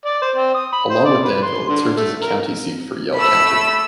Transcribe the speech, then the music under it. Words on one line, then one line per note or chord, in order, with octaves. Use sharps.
Along with Danville, it serves as a county seat for Yell County.
D5
C5
C4
D#6
B5
C5
D5
B4
C6
D3
A3
A#4
A3 B5 E6